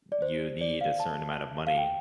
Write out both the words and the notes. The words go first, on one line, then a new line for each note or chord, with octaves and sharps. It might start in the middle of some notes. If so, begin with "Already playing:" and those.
you need a certain amount of money.
D5
C5
D5
F5
A5
F5
G5